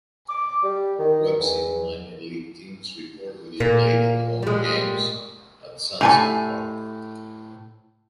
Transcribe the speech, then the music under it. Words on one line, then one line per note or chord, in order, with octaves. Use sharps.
Webb City minor league teams reportedly played at home games at Sunset Park.
D6
G3
D#3
E2
A#2 A#3
G3 G#3
A2 G4 A4 G#5